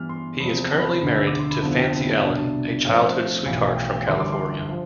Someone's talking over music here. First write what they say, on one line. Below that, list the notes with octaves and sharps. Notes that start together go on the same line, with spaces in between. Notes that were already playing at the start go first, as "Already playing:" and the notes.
He is currently married to Fancy Allen, a childhood sweetheart from California.
Already playing: G2 E3 B3 F6
C6
E2 C3 F3 B3 B5
A5
B5
A5
E1 D2 D3 B5
E6
D6
C6
B5
F2 D3 F3 B3 E4 A5
G5
A5
C2 B2 B3 D4 A5
A2 F3 A3 C4 F5
B1 A2 E3 F5
F5
G5
G5
G1 G2 E3 G3 C6
D6
C6
F3